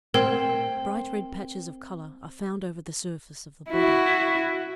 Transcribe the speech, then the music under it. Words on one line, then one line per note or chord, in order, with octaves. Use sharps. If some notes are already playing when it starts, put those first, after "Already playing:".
Bright red patches of colour are found over the surface of the body.
C4 A#4
E4 F#4